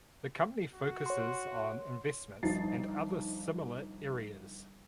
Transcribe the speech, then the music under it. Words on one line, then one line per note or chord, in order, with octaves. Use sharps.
The company focuses on investments and other similar areas.
F#4
C#5 C6
G1 F3 D#4 A6 C7